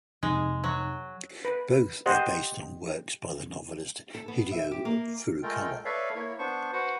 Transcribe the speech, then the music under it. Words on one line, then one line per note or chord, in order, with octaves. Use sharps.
Both are based on works by the novelist Hideo Furukawa.
F2 C3 G#3 D#4
F#3
B4
G4 C5 D#5 F#5
A4
B3
E5
G4
A#3
G#3 A3 F4 A#4 G5
A4 B4 C#5 D5 E5 F5
A#3 E4 C#5
B3 D4 C5 C#6
F#4 B4 C5 F#5